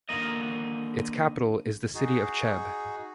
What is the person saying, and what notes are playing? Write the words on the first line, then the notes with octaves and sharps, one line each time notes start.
Its capital is the city of Cheb.
D3 D#3 A#3 D#5
D#4 F#4 G#4